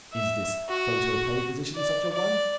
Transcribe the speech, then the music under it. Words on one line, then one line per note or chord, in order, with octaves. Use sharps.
Is this photoplay physician such a one?
E5
F#4
D5
D5